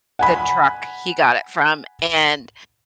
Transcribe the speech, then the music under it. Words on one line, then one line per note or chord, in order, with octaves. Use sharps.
the truck he got it from, and
F#5 G#5 B5